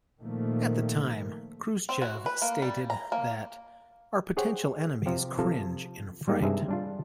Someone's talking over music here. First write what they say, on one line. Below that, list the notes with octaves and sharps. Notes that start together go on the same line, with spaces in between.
At the time, Khrushchev stated that "our potential enemies cringe in fright".
A#2 D#3 F3 A3 A#3
C4
F#4
B4
A#3
G3
A#5
A#3
G4 G#4 C5 C#5 F#5 G5
C3 F3 G4
C3 F3 A4
G3 G#3 A#3 D#4 G4
G2 C3 G#4 E5
G3 D4 F4